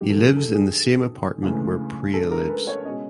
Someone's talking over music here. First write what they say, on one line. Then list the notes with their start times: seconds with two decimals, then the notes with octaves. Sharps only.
He lives in the same apartment where Priya lives.
0.01 F#2 D#3 F#3 G4
0.10 A4
0.18 G#4
0.37 A4
0.54 G#4
1.43 C#2 C#3 E3 A3
2.14 A4
2.31 A#4
2.49 B4
2.67 C#5
2.85 B2 G#3 C#4 D#5